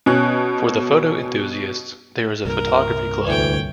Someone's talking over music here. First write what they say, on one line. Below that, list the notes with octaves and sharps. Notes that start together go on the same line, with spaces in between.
For the photo enthusiasts there is a Photography Club.
B2 C#4 F#6
C2 G2 A#2 A#4
D2 E3 C#5 G5